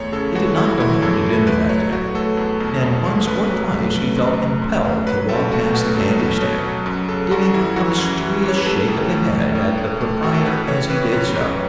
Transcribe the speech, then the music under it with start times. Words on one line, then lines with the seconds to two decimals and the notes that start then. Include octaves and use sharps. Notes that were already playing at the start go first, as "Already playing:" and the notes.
He did not go home to dinner that day, and once or twice he felt impelled to walk past the candy stand, giving a mysterious shake of the head at the proprietor as he did so.
Already playing: E2 A3 C#5
0.12 C#3 A4
0.35 E3 F#4
0.57 A3 E4
0.80 E3 E4
1.02 E2 A4
1.24 A3
1.47 A3 B4
1.69 F#3 C#5
1.92 A3 F#4
2.15 A3 A4
2.37 E2
2.60 B2
2.82 E2
3.05 A3
3.27 F#2 B4
3.50 F#3
3.72 A3
3.95 A3
4.16 F#2
4.40 A3
4.62 F#2
4.85 A3
5.07 F#3 B4
5.29 C#2 A4
5.52 A3 F#4
5.74 B2 F#4
5.96 F#3 A4
6.18 B2 B4
6.42 B2 C#5
6.64 F#3
6.86 F#2
7.08 C#3 A4
7.31 F#2 F#4
7.54 E3 E4
7.76 E3 F#4
7.98 F#2
8.21 E3
8.44 F#2 C#5
8.57 B4
8.66 A3 A4
8.88 A2
9.10 A3
9.33 A3
9.55 A2
9.77 A3
10.01 A3
10.23 A2 F#4
10.34 A4
10.45 E3 B4
10.68 E3 C#5
10.90 E3 B4
11.12 F#2 C#5
11.35 F#2